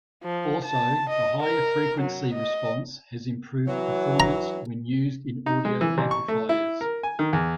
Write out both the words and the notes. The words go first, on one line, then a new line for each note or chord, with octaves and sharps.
Also the higher frequency response has improved performance when used in audio amplifiers.
F3
A5
D#5
A#4
F#3
D#5
E3 F#3
A#5
D#4
G#3
E3
A1
C#6
A3
E4
A#4
G#5
D#3
E2